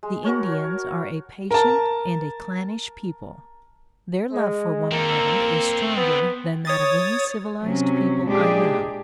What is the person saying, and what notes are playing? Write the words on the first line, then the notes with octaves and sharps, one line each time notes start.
The Indians are a patient and a clannish people; their love for one another is stronger than that of any civilized people I know.
G#3
F#4 A#4 C#5 A5
C#5
A#4 A5
G#3
A#3 C4 A4
B3
C#5 D#6 A6
C3 F#3 C#4
A#2 G#3 D4 G4 G#4